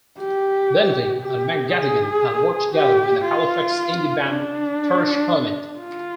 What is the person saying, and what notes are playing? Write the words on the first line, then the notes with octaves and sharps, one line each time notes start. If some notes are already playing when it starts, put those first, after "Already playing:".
Benvie and McGettigan had worked together in the Halifax indie band Thrush Hermit.
G4
G4
G#4
G4
F4
D4
F4